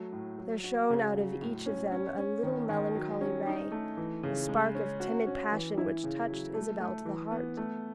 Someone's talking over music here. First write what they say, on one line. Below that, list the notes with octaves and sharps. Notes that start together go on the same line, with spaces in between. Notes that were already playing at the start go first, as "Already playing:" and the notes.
There shone out of each of them a little melancholy ray--a spark of timid passion which touched Isabel to the heart.
Already playing: F#3 A3
A2
F#3
F#4
C#3
F#3
A2
C#4
C#4
C#4
D#3
D#3
F#3
C#4
D#4
A3
E3
C#3
G#3
C#4
F#4
C#4
E3
E4
C#3
F#3
A3
A3
E3
B3
A3